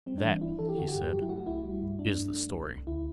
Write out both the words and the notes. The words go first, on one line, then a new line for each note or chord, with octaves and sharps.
"That," he said, "is the story."
G3 C4
D4
E3
D4
G1 E4
E3 A4
G4
D3 F#4
G4
G2
F#3 G4
E4
A3 F#4
C2 E4
G3
G2
G2 D4
A3
A3
C2
C2
D2 E4